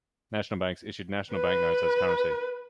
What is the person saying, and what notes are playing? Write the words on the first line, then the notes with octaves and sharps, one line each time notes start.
National banks issued National Bank Notes as currency.
B4